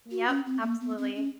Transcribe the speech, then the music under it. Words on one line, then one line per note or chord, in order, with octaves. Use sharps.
Yep, absolutely.
F#4
C#4
C4
A#3
B3
C4
C#4